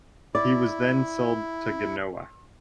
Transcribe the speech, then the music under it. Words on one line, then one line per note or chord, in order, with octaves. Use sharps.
He was then sold to Genoa.
E4 D5